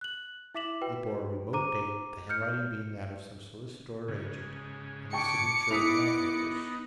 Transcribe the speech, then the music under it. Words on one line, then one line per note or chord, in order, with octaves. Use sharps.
It bore a remote date, the handwriting being that of some solicitor or agent, and the signature the landholder's.
F#6 F#7
E4 E5 D6 B6 E7 F#7
F#4 B4 G5
C5 A#5 D6 D#7
F6 G6 C#7
G#2 C#3
G5 A5 C#6 D6 C#7
B3 D#4 E4 D#6 B6 F7